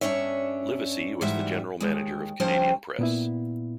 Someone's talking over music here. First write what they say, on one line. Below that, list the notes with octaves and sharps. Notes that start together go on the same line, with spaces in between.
Livesay was the General Manager of Canadian Press.
G2 B2 C#4 D4 C#5 E5
G#2 E3 G3 F#4 E5
D#2 G#3
F3 G3 C#4 C5 G5
A#2 B3 E4